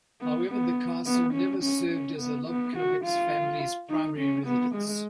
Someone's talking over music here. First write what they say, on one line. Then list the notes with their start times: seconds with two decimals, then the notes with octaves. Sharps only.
However, the castle never served as the Lobkowicz family’s primary residence.
0.21 B3
0.49 B3
1.06 B3
1.34 C#4
1.63 C#4
1.91 C#4
2.19 B3
2.48 B3
2.76 F#4
3.05 F4
3.90 D#4
4.18 C#4
4.46 B3
4.75 G#3